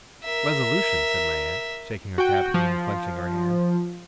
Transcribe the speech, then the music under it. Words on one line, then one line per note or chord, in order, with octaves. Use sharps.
With resolution,' said my aunt, shaking her cap at me, and clenching her hand.
A#4 E5
F#4 G5
F3